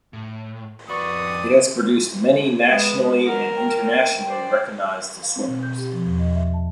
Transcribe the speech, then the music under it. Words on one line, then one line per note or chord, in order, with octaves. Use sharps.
It has produced many nationally and internationally recognised swimmers.
A2
F2 F#4 B4 D5 B5 C#6 D#6
G#3 B3
A#4 F#5
G5
C5 D5
F5
C4
B2
G6
G4
F3
E2
D#5
E5
A5